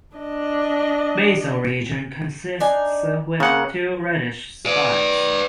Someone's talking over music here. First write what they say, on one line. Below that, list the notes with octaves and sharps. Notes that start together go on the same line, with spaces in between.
Basal region consists with two reddish spots.
D4 D#5
D4 D#4 G#5
C#3 A#3 C4 F#5
B4 D5